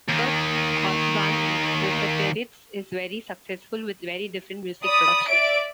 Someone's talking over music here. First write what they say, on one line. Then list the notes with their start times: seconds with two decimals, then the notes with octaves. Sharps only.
Kurt Ostbahn, Resetarits is very successful with very different music productions.
0.09 D#2 D#3
4.83 D5 B5 D#6
5.28 D5 E5 D7